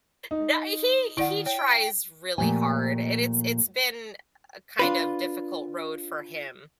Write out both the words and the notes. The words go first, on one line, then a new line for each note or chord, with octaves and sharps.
That he he tries really hard and it's it's been a kind of difficult road for him,
D#4
D#3 E4 D5 F#5 D7
C#5 G5
A#2 E3 F3 A3 G4 G#5
D4 F4 B4